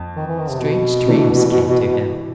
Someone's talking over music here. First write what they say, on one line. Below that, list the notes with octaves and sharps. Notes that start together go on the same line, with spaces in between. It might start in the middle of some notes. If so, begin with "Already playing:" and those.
Strange dreams came to him.
Already playing: F2
D#3
E3
D#3
C3
B2
C3 E3 A3 D4